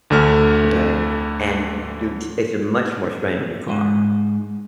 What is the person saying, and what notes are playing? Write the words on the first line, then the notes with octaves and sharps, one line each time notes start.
okay, and n do it's a much more strain on your car,
D2 D3 A3 F6
G#2